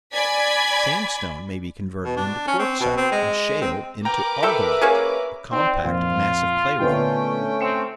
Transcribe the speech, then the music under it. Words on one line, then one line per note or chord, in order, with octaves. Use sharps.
Sandstone may be converted into quartzite, and shale into ARGILLITE, a compact, massive clay rock.
D5 G#5 B5 G#6 B6
B2
D4
C#4
C4
B2
C4
G#3
C4
A#4 B4 G5 A#5 D6
A4 E5 G5 E6
A#3 C#4 G#4
C4 D#4 D5
F2 A#2 F4 C5
A#2 D3 A3 B3 C#4 G5
C4 C#7 E7